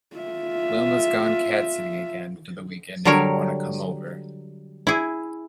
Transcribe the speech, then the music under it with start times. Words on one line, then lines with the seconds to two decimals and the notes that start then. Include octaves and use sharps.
Wilma’s gone cat sitting again for the weekend if you want to come over.
0.17 F4 E5
3.05 D3 F#3 G3 A#4 C#5
4.87 E4 G#4